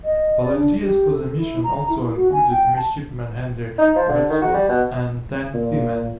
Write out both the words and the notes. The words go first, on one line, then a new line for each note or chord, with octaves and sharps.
Volunteers for the mission also included Midshipman Henry Wadsworth and ten seamen.
D#5
D5
D4
G4
A4
E4
A#5
E4
F#4
G#5
G5
A5
D#4
F3
D3
D#3
F#4
G3
B2
A#2